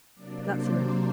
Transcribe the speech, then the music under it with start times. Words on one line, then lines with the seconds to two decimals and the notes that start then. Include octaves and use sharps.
That's enough.'
0.14 C3 F#3 A#3 D4 D5
0.45 C5
0.76 A#4